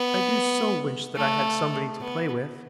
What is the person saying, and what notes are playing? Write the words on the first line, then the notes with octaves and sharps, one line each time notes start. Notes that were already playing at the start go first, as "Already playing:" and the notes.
I do so wish that I had somebody to play with.
Already playing: B3
A3
B3